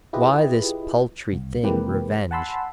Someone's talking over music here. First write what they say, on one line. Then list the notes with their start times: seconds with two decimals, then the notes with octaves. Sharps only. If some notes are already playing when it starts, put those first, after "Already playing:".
Why this paltry thing, revenge?
0.13 E4 F4 G4 G#4 B4 D#5
1.33 C2
1.63 C3 E3 G#3 A#3 G4 B4
2.31 F#5 G#5 A5 B5 C6 E6